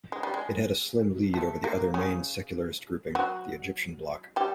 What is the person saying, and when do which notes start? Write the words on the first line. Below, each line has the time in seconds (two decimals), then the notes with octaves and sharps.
It had a slim lead over the other main secularist grouping, the Egyptian Bloc.
0.12 G#3
0.23 G3
0.34 G#3
1.34 A3
1.64 A#3
1.94 C#3 C#4
3.15 F#3 F#4
4.36 G3 G4